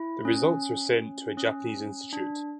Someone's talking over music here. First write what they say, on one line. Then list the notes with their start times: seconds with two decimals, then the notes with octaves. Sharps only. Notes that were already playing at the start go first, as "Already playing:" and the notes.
The results are sent to a Japanese institute.
Already playing: E4
0.25 C#4
1.37 C#4
2.13 D4